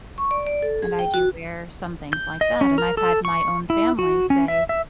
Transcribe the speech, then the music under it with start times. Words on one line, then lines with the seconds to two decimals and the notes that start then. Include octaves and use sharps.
And I do wear some things like that. And I've had my own family say
0.18 C#6
0.31 D5
0.47 D5
0.62 A4
0.82 G#4
0.99 G5
1.14 F#4
2.13 G6
2.41 D#5
2.61 C#4
2.78 A#4
2.97 A4
3.25 C#6
3.70 E4
3.99 F#4
4.30 C#4
4.48 E5
4.69 E5